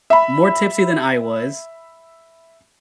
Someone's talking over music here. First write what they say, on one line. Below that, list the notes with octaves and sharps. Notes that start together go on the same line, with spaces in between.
more tipsy than I was,
E5 B5